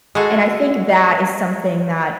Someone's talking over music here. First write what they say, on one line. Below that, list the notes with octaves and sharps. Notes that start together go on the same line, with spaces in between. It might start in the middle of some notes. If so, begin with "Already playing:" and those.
and I think that is something that
G#3 E4 F#4 G#4 A4